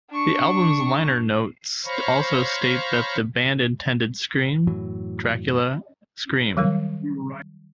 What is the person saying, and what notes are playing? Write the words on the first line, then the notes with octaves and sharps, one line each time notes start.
The album's liner notes also state that the band intended Scream, Dracula, Scream!
D4 C#6
C5 C#5 F5 A#5 B5 C#6
F#2 A2 E3 F#3
D#3 F#3 G3 A#4